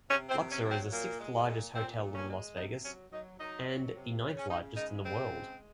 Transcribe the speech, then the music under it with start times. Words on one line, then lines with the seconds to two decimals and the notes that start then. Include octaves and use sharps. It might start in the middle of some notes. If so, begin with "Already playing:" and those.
Luxor is the sixth-largest hotel in Las Vegas and the ninth-largest in the world.
0.08 C3 C#4
0.29 C4
0.37 C3
0.51 C#4
0.64 F#3
0.71 C4
0.91 A#2 A#3
1.19 G#3
1.46 A#2
1.73 A#2 C4
2.01 A#2
2.15 C#4
2.29 G#3
2.55 C3 D#4
2.83 F#3 C#4
3.10 F#3 D#4
3.38 F#3 D#4
3.66 F#3
3.93 C3
4.21 C#3
4.36 C#4
4.48 C#3 D#4
4.75 G#3 D#4
5.03 C#3 C4
5.31 G#3